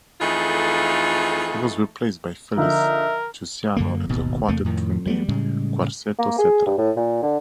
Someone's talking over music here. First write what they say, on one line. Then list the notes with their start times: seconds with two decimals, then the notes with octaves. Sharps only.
He was replaced by Felice Chiusano and the quartet renamed Quartetto Cetra.
0.21 F2 E3 A3 D#4 F4 G#4
2.57 D3 F3 D#4 A#4 E5
3.77 F#2 D3 A#3
4.09 D1 G#1 D#2 B2
4.48 E2 C3 A3 A#3
4.64 F2 A2 D#3
5.06 F#3 G3 A3 B3
5.28 A2 C#3 G3 G#3
6.19 A#3
6.39 G#4
6.66 G2
6.78 A2
6.97 A#2
7.23 D3